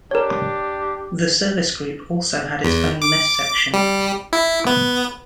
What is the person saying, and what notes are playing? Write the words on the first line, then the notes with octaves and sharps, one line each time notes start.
The service group also had its own mess section.
D4 G4 A#4 C#5
E2
D6
G3
E4
B3